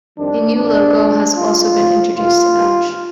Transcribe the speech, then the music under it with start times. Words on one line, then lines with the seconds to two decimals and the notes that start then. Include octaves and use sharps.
A new logo has also been introduced to match.
0.17 F2 D#3 G3 C4 D4
0.56 A#2 F3 G#3 C4 D4
0.95 A#2 F3 A#3
1.35 D#2 D#3 G3 F4
1.74 D2 C3 F3 C4
2.14 F2 C3 D#3 G#3 F4
2.54 G2 D#3 G3 A#3